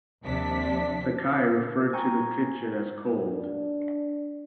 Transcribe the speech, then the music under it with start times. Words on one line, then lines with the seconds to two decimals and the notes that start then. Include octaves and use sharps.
Sakai referred to the kitchen as cold.
0.24 D#2 C3 F3 D4 B6
1.93 G5 G#5 A#5 C#6 D#6 G6
3.31 D4